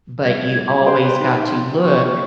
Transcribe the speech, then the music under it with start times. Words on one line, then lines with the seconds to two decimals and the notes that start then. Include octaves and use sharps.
But you always got to look
0.23 G3 G#6
0.86 G4 B4 C5 G5 C6
1.18 D#4
1.81 F#4 C#6
2.07 A#3 C#6